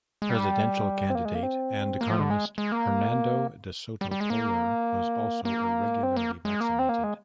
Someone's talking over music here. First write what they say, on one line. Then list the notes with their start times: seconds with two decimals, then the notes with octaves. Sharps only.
Presidential candidate and economist Hernando de Soto Polar was also irregularly vaccinated.
0.22 G#3
0.29 G3
1.10 C4
1.15 A#3
1.25 G#3
1.35 A#3
1.43 C4
2.01 A#3
2.10 F3
2.20 D3
2.30 G#3
2.58 G#3
2.72 A#3
4.01 G3
4.11 G3
4.21 G#3
4.30 A#3
5.45 A#3
6.03 C4
6.16 A#3
6.45 G#3
6.60 A#3
6.79 C4
6.89 A#3
7.04 G#3